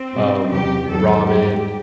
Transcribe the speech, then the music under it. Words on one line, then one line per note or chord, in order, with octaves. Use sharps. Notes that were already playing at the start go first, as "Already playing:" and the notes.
um, ramen;
Already playing: C4
B2 G3
E2 C3 F#3 G4
E2 D#3 F#3 A4
G2 F#3 G4